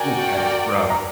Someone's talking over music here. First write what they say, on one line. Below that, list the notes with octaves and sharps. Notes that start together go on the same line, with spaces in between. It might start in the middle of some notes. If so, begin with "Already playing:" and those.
Ooh, that is rough.
Already playing: F#4 A#4 D5 G5 G#5
A#5